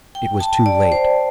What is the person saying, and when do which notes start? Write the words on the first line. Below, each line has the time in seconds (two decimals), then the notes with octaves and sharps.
It was too late.
0.15 G5
0.40 A5
0.66 D5
0.92 C5